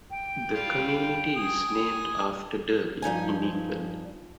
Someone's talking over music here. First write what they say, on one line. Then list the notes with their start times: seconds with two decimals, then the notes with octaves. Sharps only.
The community is named after Derby, in England.
0.10 G5
0.54 G3 F4
1.36 G#5 D#6
3.02 G2 F3 D#4 G#5